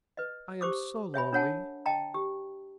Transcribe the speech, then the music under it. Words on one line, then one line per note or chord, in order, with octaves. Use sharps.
I am so lonely.
B4 D#5
G4 C5 D6 D#6
C#5 E5 G#5 B5
D4 A#4 C#5 F#5 G#5 A5
D#5 G5 A5 A#5
G4